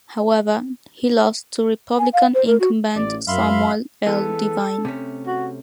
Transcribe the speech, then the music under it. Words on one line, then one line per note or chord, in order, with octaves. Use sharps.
However, he lost to Republican incumbent Samuel L. Devine.
G#5
F5
C5
A#4
F#4
A1 D5
F#2 E5 F5 B5 C6
E3 G#3 B3 A4
C3 A3 C#4
F#4